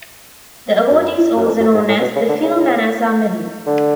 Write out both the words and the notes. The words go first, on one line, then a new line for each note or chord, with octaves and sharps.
The award is also known as the Phil Manassa Medal.
F#2
F#2
F2
F#2
G#2
A2
B2
C#3
D3
C#3
D3